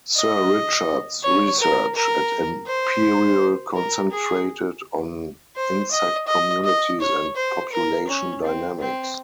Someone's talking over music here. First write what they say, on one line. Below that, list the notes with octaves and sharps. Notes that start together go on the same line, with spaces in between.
Sir Richard's research at Imperial concentrated on insect communities and population dynamics.
D#5
C#5
A#4
A#4
C5
A#4
G#4
C5
D#5
D#5
D#5
C#5
C5
A#4
C#4
C4
C4